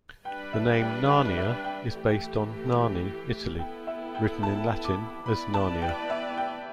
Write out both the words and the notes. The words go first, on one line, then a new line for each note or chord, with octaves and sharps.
The name "Narnia" is based on Narni, Italy, written in Latin as "Narnia".
G3 D4 B4 D5 G5
E5
G5
G5
E5
G5
E3 A3 G4
B3 E4 A4 G5
E5
G5
A5
D6
B3 E4 B4 D5 B5
A5
G5
E5
G5